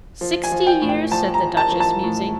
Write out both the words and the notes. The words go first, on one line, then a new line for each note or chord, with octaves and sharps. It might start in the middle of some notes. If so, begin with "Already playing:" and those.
"Sixty years," said the Duchess, musing.
F3
G#5
F3
G5
A2
G5
F3 A5
A#5
F3
A5
F3
A5
A2